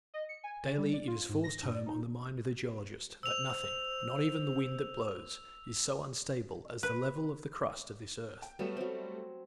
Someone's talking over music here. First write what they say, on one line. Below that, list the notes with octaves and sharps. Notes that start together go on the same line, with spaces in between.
Daily it is forced home on the mind of the geologist, that nothing, not even the wind that blows, is so unstable as the level of the crust of this earth.
D#5
C#7
G#5
C#3
G3
D5
F4
G#2
A#6
G2
D5
D#4
C5 E6 F7
B4
G5
F#3 G3 A3 B3 E7
F#3 C4